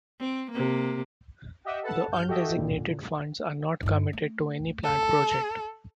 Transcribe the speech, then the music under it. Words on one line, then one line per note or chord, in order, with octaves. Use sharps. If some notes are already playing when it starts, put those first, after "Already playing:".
The undesignated funds are not committed to any planned project.
C4
C3 A#3
G4 D#5 E5 F#5
A4 B4 F#5 A5
G2 F6 G6
F#4 G4 A4 D#5 E5 G5
A#2 D3
G2 D#4
A3
A4